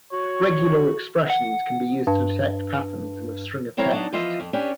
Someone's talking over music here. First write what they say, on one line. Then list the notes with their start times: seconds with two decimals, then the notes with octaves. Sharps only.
Regular expression can be used to detect patterns in a string of text.
0.13 F#4 C#5
1.30 F#5
2.07 G2
3.77 F#3 C4 E4 C#5 F5 A#5
3.92 F#3 B3 D4 D#4
4.13 E3 F3 F4 D#5 E5
4.40 F2
4.53 C#4 D4 G4 B4 C#5